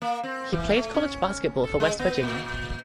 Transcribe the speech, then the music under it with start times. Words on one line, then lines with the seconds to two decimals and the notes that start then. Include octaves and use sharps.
He played college basketball for West Virginia.
0.02 A#3
0.23 C4
0.53 E3
0.74 A3
0.94 C#4
1.64 A4
1.80 G#3
1.99 B3
2.23 A#2